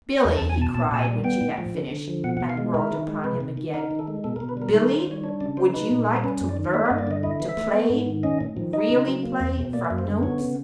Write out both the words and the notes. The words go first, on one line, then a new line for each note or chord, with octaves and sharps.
"Billy," he cried, when she had finished and whirled upon him again, "Billy, would you like to learn to play--really play from notes?"
E2 D#5
A5
E2
G#5
B2 A5
A#2 A5
A#2 A5
G#5
G3
B3 G5
A2
F3
D3
D3
F3
B2 F#5
F#5
B2
F5
G#3
E4 A#4
D#3
G#3
C3 B4
C3
D#3
D#4 A#4
D#3
A4
G#3
B2 A4
A#4
B2
B4
G3 A#4
D#3 A4
A#4
D#3
C5
G3 C#5
D4 C#5
C#3 D5
F#3 C5
D#4 B4
A#2
G3
C#4 B4
F#2
D5
D#3
A#3 E5
G2 D#5
D5
D3 D#5
E4 D#5
E3
E5
A3
B3
G#2
D#3
C#4 D#5
A2
F3
D#4 D#5
C#3
F#3
A#3
E2
B2
A#3 D5
F#2
C5
D3
B3 C#5
C#3